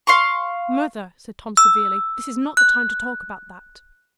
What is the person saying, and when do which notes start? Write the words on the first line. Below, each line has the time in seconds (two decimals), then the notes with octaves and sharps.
"Mother," said Tom, severely, "this is not the time to talk about that."
0.07 F5 C6 C#6
1.57 E6
2.57 F#6